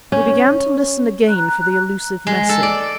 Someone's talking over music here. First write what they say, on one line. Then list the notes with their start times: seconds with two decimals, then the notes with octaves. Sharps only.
He began to listen again for the elusive message.
0.12 C#4
1.28 A#5 F#6
2.27 G#3
2.49 A4
2.63 D5